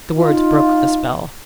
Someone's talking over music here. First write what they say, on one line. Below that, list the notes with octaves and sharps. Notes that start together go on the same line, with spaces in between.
The words broke the spell.
D#4 F4